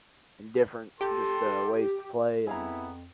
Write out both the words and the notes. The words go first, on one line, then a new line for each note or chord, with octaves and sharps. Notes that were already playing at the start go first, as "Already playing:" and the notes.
in different just, uh, ways to play and
G4 A4 C6
F2 B3 E4 G#4 F5 A#5